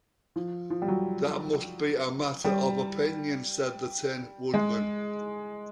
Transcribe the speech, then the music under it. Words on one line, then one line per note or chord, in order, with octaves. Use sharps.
"That must be a matter of opinion," said the Tin Woodman.
F3
F3
G3
F#3
G3
G#3